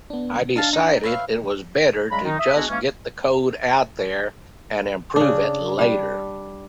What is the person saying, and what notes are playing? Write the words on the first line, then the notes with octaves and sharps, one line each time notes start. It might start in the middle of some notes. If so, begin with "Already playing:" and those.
I decided it was better to just get the code out there and improve it later.
B3 D4
D4 D#4 F5 A5
D#4
B4 C#5 E5 F5
C#3 G3 G#3 A#5 B5
D#3 D#4
E5 D#6
G#3 B3 D4 E4 F#4
E3 G#3 A#3 C#4
C#3 D4
G3 D4